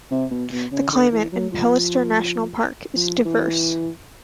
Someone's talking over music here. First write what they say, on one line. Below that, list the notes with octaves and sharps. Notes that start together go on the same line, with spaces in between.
The climate in Pelister National Park is diverse.
C3
B2
B2
C#3
D3
E3
F#3
F3
F3
E3